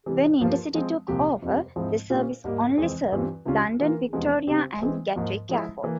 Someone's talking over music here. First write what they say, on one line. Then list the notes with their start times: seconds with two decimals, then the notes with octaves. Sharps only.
When InterCity took over, the service only served London Victoria and Gatwick Airport.
0.06 C3 E3 G3
0.40 G2 F3 A#3 F4
0.74 F3 G#3 C4
1.08 C2 A#2 F3 C4 G4
1.42 F2 C3 G3
1.76 G#2 F3 G#3 C4 E4
2.10 A#2 G3 C#4 F4 C5
2.44 G#2 G3 A#3
2.78 F2 E3 G#3 C4
3.12 G2 E3 G3 C4 F4
3.45 C#2 C#3 G3 C#4 F4
3.80 E3 A#3 F4 A#4
4.13 E2 C3 F3 G#3 C#4
4.47 C#3 G3 C4 G4 C5
4.81 E3 G#3 C4
5.15 G#2 F3 A#3
5.49 F3 G#3 E4
5.83 E3 A#3